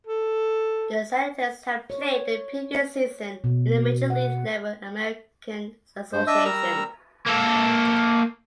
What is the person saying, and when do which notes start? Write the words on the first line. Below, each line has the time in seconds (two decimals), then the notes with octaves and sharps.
The Senators had played the previous season in the major league level American Association.
0.07 A4
1.90 C#5
3.44 B2
4.10 F#5
6.13 G2 C5
6.27 D4 D#5 E5 E6
6.45 G3 A#4 A#5 E6
7.27 A#3 A4